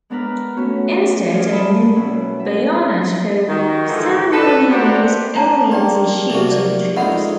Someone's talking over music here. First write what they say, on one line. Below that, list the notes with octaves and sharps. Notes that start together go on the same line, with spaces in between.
Instead a new bayonet for ceremonial use only was issued to the troops.
G#3 B3 D4 A#4 B4 F6
A3 B3 C#4 F#4
D4 G#4 D5 F5 G#5
E5 A5 B5 D#6
B2 F#3 C#4 E4
E5
D#3 F#4
G#2 D3 E3 F3
A4 B4
A#3 B3 D4 F#4 G4 C5
D4 A5 A#5
A#3 G4 D5 G5
C3 A#3 F#4
D5
F2 G#3 D#4 E5 F#5 B5